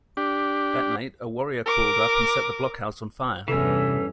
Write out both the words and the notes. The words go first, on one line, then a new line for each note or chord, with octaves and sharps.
That night, a warrior crawled up and set the blockhouse on fire.
D4 G4
A#4 D6
E2 G2 C3 E3 C#4 A4